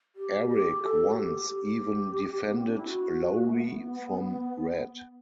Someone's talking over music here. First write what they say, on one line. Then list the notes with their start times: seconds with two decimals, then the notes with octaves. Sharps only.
Eric once even defended Laurie from Red.
0.16 G4
0.50 G4
0.83 A4
1.08 F#4
1.17 G4
1.51 G4
2.50 B3
2.58 C4
2.68 D4
2.77 E4
2.87 F#4
3.45 A3
3.54 B3